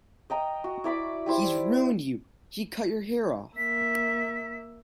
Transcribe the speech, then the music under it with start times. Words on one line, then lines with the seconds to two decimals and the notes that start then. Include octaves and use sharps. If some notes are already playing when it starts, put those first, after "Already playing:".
'He's "ruined" you-he cut your hair off!
0.30 D#5 G5 A#5
0.64 F#4
0.84 E4 D5 B5 D6
1.26 G3 E4 C5
3.57 A#3 E5 B6